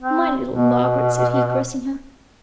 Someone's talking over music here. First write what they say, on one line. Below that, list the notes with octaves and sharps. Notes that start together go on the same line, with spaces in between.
'My little Margaret!' said he, caressing her.
C4
B2